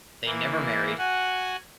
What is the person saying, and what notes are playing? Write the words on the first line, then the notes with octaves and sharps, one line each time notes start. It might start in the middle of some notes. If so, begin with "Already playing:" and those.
They never married.
E3 A#3
F#4 F#5 G#5